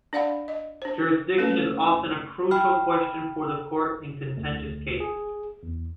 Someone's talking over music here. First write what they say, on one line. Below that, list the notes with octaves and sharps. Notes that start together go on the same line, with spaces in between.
Jurisdiction is often a crucial question for the Court in contentious cases.
D4 D5 F5 F#5 B5
D#5
D4 C5
A3 A#3 C#4 A4 B4
G5 B5 F6
D2
G#4
E2